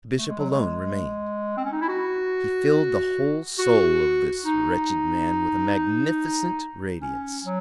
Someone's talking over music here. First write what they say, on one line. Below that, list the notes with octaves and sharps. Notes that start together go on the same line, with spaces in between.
The Bishop alone remained; he filled the whole soul of this wretched man with a magnificent radiance.
A3
G#3
F#3
G#3
C4
C#4
D#4
E4
F#4
F#4
D#4
C#4
F#3